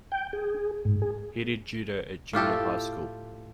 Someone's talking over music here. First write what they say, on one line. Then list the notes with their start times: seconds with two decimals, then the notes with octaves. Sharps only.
He did judo at junior high school.
0.12 G5
0.33 G#4
0.85 G#2
1.02 G#4
2.33 A2 F4 G4 A4